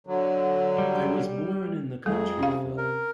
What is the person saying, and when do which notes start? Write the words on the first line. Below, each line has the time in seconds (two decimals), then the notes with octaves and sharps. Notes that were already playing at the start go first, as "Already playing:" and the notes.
I was born in the country, Phil.
0.07 D3 F#3
0.78 G3
2.06 F2 G3 A3 G#4
2.39 C3 C#4 F5
2.77 A#4